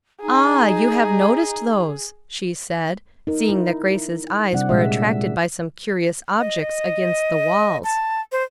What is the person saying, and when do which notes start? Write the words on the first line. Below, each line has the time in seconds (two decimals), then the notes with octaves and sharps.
"Ah! you have noticed those," she said, seeing that Grace's eyes were attracted by some curious objects against the walls.
0.22 D#4 G#4 A#5
3.27 D#4 A#4
3.50 E4
4.53 C3 G3 C4 D4 D5 F#5
4.69 A#2 G#3 E5
6.40 D#5
7.84 A5
8.32 C5